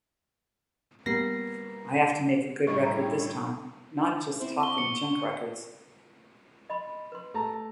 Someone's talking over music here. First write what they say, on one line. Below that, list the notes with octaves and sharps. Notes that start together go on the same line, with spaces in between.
I have to make a good record this time, not just talking-junk records.
G3 A#3 B3 A#6 C7
A2 D3 G3 E4 C#5 D#5 C#6
A#5
G5
C4 E4 C5
C#6 G7
C#7
D#5 B5 C6
B4 C6
A3 A5 A#5